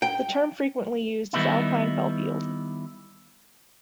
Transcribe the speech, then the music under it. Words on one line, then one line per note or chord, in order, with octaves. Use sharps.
The term frequently used is alpine fellfield.
G5
D#3 G3 B3 D#4 E4